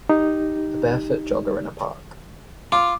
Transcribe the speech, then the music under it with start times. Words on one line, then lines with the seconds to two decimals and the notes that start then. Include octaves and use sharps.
A barefoot jogger in a park.
0.09 D#4 G4
2.72 F4 D6